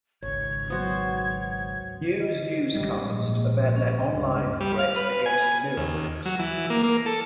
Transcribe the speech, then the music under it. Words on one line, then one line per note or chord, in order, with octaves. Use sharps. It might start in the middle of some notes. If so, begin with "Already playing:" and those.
News newscast about their online threat against Miramax.
G#1 C#2 C#5 G#6
F#3 B3 F#4 C5
D#5
G#1 G3
A#1 G#2
C#4
C#2 G2 D#5
G3
F5
B4
G#5
D#2
F#3
E3
A#3
A#3
A4